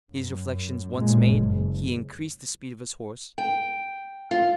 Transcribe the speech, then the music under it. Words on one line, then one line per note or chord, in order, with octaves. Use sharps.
These reflections once made, he increased the speed of his horse.
F#2
A#2 G#3
F#1
G5
F4